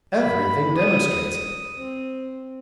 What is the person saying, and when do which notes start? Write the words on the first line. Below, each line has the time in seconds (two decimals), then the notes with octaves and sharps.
Everything demonstrates it.
0.19 B5
0.78 D#6
1.76 C4